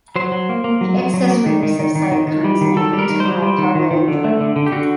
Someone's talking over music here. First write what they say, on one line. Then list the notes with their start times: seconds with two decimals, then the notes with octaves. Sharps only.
This excess release of cytokines may lead to myocardial injury.
0.16 F#3 C5
0.32 F#3
0.49 A#3
0.64 A#3
0.81 F#3
0.97 F#3
1.14 F#3
1.31 A#3
1.46 D#3
1.63 D#3
1.79 D#3
1.95 D#3
2.12 D#3
2.27 D#3
2.44 G3
2.61 D#3
2.76 D#3 A4
2.93 G3
2.99 A#4
3.10 D#3
3.20 C5
3.25 G3
3.42 G3
3.58 D#3
3.75 D#3
3.91 D#3
4.08 D3
4.24 A3
4.41 D3
4.56 D3
4.66 G4
4.72 D3 F#4